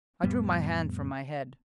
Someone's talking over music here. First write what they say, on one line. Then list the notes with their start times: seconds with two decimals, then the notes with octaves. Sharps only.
I drew my hand from my head.
0.23 F2 A2 G3 B3